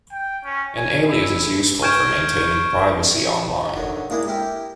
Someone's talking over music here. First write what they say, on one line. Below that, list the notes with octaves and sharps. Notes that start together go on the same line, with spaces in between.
An alias is useful for maintaining privacy online.
G5
C#4
G#5
E4
C#6 F6 G6 G#6 D7 E7
D3 D#3 F#3
G#3 A#3 D4 E4 G#4
E4 G4 A#4 G5